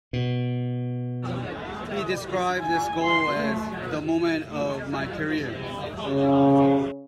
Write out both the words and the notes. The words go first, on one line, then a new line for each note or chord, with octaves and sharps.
He described this goal as "the moment of my career".
B2
G#5
C6
A3
C#3